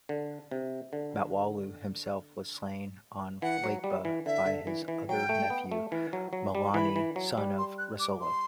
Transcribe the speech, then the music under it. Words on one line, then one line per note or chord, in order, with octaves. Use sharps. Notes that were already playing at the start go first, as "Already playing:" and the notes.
Matawalu himself was slain on Lakeba by his other nephew Malani, son of Rasolo.
D3
C3
D3
E3 F#5
F#3
G3
E3
D3 E5
D3
E3
E3
F#3 G5
A3
B3
A3
E3
F#3
F#3
G3
E3 B5
E3
F#3
G3
C6
F#6
D6
C6